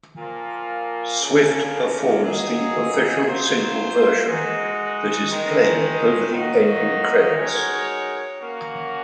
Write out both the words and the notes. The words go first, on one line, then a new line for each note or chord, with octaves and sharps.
Swift performs the official single version that is played over the ending credits.
A#2 F3 A#3 F4
C#3 F3 A#3 C#4
F#3 A#3 D#4 G#4
F#3 A#3 F4 C5
G#3 D#4 F#4
D#3 G#3 D#4
D#3 F#3 A#3 D#4 F#4
G#3 D#4 F#4 A#4 C#5
A#3 C#4 F#4